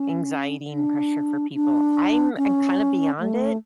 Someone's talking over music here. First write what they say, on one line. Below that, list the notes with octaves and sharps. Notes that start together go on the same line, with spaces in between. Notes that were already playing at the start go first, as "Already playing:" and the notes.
anxiety and pressure for people. I'm I'm kinda beyond it,
Already playing: C#4
D4
D4
C#4
A3